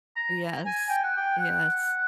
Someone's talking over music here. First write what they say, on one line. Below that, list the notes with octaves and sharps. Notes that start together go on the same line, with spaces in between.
Yes. Yes.
A#5
G#5
G5
F#5
G5
F#5